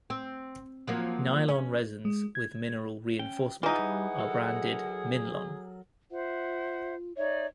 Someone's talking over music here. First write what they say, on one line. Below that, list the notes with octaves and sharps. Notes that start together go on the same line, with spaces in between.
Nylon resins with mineral reinforcement are branded 'Minlon'.
C4
F3 F#3 A#3
C#4
G#3
G#6
C#4 G5
E3 D#4 F4 G#4 F#5
G3
F#3 A4 A#4
F4 C5 E5 F#5
D#4 C#5 D5 E5